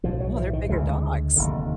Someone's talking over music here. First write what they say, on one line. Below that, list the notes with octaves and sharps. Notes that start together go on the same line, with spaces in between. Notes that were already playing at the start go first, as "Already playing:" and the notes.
Wow, they're bigger dogs.
B1 A2 F3
F#3
E3
D#3
D2 C#3 G#3
F1 D#2 D3